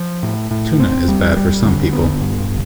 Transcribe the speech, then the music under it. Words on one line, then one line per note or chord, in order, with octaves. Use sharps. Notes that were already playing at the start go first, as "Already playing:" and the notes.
Tuna is bad for some people.
Already playing: F3
A2
A2
C4
G3
G3
D3
B3
G2